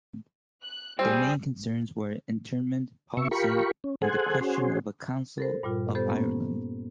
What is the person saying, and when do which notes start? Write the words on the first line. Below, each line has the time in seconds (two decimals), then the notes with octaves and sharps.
The main concerns were internment, policing and the question of a Council of Ireland.
0.63 F#6
0.99 G3 C4 G#4
3.17 C3 E5 C#6
3.31 F4 G4 A#4 B5 C#6
3.84 C#4
4.02 G#4 A4 C5 F#5 G#5
4.41 C#4 F#4 G#4 C5
5.38 A4 A#4 C5
5.63 G2 A#2 G3 F4
5.95 B3 G4 A4 C5
6.10 A#3 B3 C#4